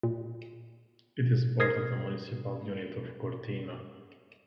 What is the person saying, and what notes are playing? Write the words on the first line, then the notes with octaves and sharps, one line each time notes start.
It is part of the municipal unit of Gortyna.
A#2
A#4 D#6 G#6 A#6 C7